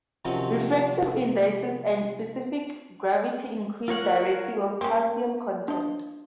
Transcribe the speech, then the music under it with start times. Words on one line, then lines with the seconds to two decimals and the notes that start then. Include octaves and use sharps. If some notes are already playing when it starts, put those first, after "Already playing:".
Refractive indices and specific gravity increase directly with calcium content.
0.25 C3 D#3 F3 F#3 C4 C#4
3.88 F4 A#4 C#5 F#5
4.81 A#3 C4 C#4
5.68 F3 D4 D#5